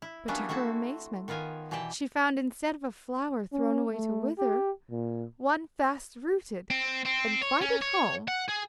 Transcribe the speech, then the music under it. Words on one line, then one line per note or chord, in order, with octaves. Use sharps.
But to her amazement she found, instead of a flower thrown away to wither, one fast rooted and quite at home.
E4
F#3 G3 A#3 B3 C#4 D4
A3 C4 E4 F#4 A5
D#3 B3 F4 A#4 G#5
B2 E3 G4 D5 G5 A5
C#4
A3
G4
A#2
C4
C4
C#5
C#4
C#5
F#5
G#4